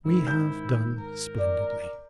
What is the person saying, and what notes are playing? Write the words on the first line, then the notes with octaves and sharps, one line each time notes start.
We have done splendidly.
G#2 D#3 E4
G6
A#4
D5